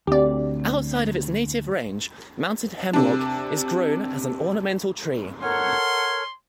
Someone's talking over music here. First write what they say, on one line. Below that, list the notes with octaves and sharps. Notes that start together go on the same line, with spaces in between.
Outside of its native range, mountain hemlock is grown as an ornamental tree.
D2 C4 G4 D5
C3 D4
A4 A#4 C#5 F#5 G#5 C6 F6